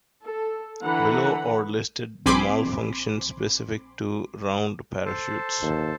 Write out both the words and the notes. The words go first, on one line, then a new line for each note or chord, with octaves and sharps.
Below are listed the malfunctions specific to round parachutes.
A4
D3 E3 F#5 A#5 B5
A#1 C4 G#5 B5 C6 D6
A4 C5 A5
D#2